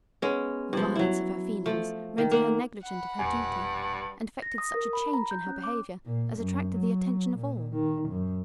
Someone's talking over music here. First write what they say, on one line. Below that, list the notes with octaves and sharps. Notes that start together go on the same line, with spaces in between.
The violence of her feelings rendered her negligent of her duty, and effected such a change in her behaviour as attracted the attention of all.
G#3 B3 C#4
G2 F3
F#3 E4
F3 A3
D#3
A#3 F#5
F#5 B5
E1 A#1 G2 G#5
A#6
D#6
A#4
B5
A#5
G6
C#4
D6
A#2
F#2
F#3
A#2
D#3
F#2